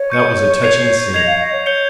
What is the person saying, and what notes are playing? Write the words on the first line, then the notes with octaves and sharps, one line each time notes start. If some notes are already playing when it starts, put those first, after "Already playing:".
That was a touching scene.
Already playing: C#5
C#6 G6 C#7
G#6 C7 F7
D#5 G#6 C7 F7
F5
D#5
C#5
C#5 G6 C#7 G7